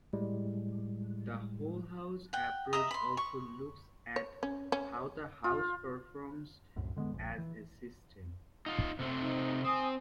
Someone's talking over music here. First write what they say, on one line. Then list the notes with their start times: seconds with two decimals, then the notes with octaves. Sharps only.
The "Whole-House" approach also looks at how the house performs as a system.
0.13 A2 G3 G#3
2.33 F#5 G5
2.73 D#5 E5 A#5 D#6
2.91 B5 C6
3.17 C#6
4.16 C#5
4.43 C#4
4.72 C#4
5.44 F4
6.76 C2 F#2 A2
6.96 D3 G#3 A#3 B3
7.13 D#1 A#1
7.38 E3
8.66 D#4 F4
8.99 C3 A3 C4
9.19 D#4
9.64 C4 G#5 D#6